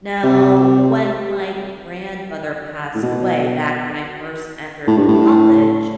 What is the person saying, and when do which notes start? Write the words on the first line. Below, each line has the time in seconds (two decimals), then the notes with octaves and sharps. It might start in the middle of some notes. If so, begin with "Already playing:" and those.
Now, when my grandmother passed away back when I first entered college,
0.24 C3
2.95 A2
3.02 B2
4.87 A2
4.98 G2
5.08 A2